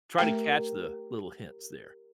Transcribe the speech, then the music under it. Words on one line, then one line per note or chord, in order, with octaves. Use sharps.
try to catch the little hints there.
A3 G4 A#4 G5